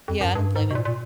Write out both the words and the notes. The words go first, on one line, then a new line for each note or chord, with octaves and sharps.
Yeah, I don't blame him.
F2
F#2
G2
G#2
B2
A#2
A#2